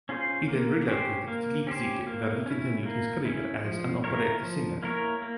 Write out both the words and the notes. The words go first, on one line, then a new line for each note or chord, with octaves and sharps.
He then relocated to Leipzig where he continued his career as an operetta singer.
C#4 F4 G#4 C5
A#3
C#4 G4 C5
A#3
C#4 G4 C5
A#3
C#4 E4
A#3
C#4 E4
F3
A#3 E4 A#4 C#5
F3
A#3 E4 A#4 C#5
A#3